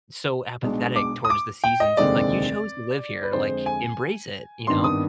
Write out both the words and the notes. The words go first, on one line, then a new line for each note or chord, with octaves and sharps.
so apathetic towards the seasons. It's, like, "You chose to live here, like, embrace it," you know?
B1 B2 G#3 D4
D6
D#6
D6
G5
D#5
F1 D#2 D3 G#3 C4 D5
B4
F2 D3 G#3 C5
G#5
G#1 G2 D#3 B3 D4 C6
D#6